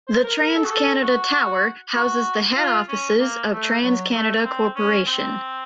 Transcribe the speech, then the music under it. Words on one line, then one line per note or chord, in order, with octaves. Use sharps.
The TransCanada Tower houses the head offices of TransCanada Corporation.
C5
A#4
A#4
A4
F#4
A4
F#4
F#4
F4
C#4
A#3
A3
F#3
A3
C4
C#4
C4